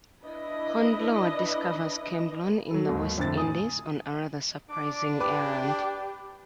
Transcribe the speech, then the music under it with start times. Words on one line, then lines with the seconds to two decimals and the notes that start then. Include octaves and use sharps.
Hornblower discovers Cambronne in the West Indies on a rather surprising errand.
0.23 D4 E4 B4 D#5
2.71 F#3 A4
2.89 D#2 G#2
3.18 F2 A2 D3 C4 A6
3.37 G#5 D#6
4.70 D4 D6
5.20 G4 B4 D6